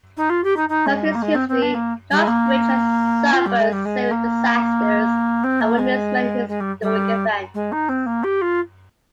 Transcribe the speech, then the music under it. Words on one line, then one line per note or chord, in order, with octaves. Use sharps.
Throughout its history, Charles Bridge has suffered several disasters and witnessed many historic events.
D#4
F4
G4
D#4
D#4
G#3
G3
A#3
G#3
C4
C4
D4
A#3
G3
G#3
A#3
F4
G3
G#3
G3
G#3
A#3
C4
A#3
G#3
G#3
G3
G3
G#3
D#4
C4
A#3
G4
F4